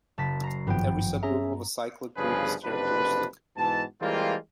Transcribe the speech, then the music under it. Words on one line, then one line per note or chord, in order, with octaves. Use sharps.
Every subgroup of a cyclic group is characteristic.
F#1 A5 B6
A#5 C7
G#1 G2 F3 B3 G5
C#4 G#4 E5 A#5
G1 G2 C#3 F3 G#4 B4
F#1 F2 C3 D4 B4
G#2 B2 E3 A5
E3 G3 G#3 A#3 C4 F4